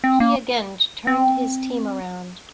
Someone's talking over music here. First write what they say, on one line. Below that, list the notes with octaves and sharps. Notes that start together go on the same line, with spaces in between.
He again turned his team around.
C4
A#3
C4